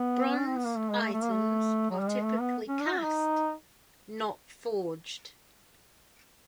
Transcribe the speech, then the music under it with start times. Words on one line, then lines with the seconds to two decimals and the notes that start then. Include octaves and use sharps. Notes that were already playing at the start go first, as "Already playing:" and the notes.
Bronze items are typically cast, not forged.
Already playing: B3
0.38 C#4
0.47 C4
0.56 B3
0.65 A#3
0.77 A3
0.89 G#3
1.01 A3
1.13 A3
1.23 A#3
1.31 A3
1.90 F#3
1.99 G3
2.09 G#3
2.24 A3
2.40 B3
2.68 C#4
2.80 D4
2.87 F4
2.91 F#4
2.99 E4
3.04 D#4